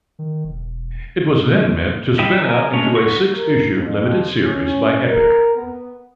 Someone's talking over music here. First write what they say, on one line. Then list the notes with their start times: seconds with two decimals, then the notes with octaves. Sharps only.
It was then meant to spin out into a six-issue limited series by Epic.
0.19 D#3
0.44 E1
2.19 G3 E4 G4 D#5 E5
2.40 A#4 G#5
2.74 G#3 A3 C#4
2.95 D3 B3 F#4 C#6
3.34 A#4
3.76 F2
4.45 C#4
5.09 A#4
5.56 B3